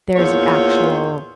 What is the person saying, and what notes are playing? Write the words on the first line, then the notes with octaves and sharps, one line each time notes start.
there's an actual
E2 A#2 C5 C#5